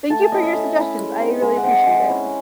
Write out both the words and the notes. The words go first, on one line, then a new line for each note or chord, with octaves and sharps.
Thank you for your suggestions, I really appreciate it.
A3 A5
G#5
C#4 E4 D#5
E5
A3
C#4 E4
G#3
C4 D#4
G#3 E5
F#5
C4 D#4
E5
G#3
C#4 E4